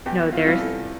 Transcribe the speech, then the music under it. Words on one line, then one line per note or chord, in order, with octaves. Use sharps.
No. There's
E2 G4
F4
E4
C3 G3 F4
A4